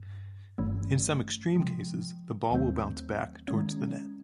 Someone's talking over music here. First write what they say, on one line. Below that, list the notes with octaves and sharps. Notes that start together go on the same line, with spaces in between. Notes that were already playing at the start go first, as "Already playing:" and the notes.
In some extreme cases, the ball will bounce back towards the net.
Already playing: G2
G1 G2 E3 A3 C#4
C3 F3 G#3
D#2 D#3 F#3 A3 C4
D#3 G#3 C#4